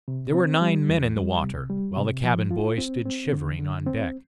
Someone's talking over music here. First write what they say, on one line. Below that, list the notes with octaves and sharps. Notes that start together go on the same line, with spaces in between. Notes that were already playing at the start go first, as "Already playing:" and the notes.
There were nine men in the water, while the cabin boy stood shivering on deck.
C3
C4
G3
E2
G3
C3
G3
C3
F3
F4
C4
C4
D3
D3
C4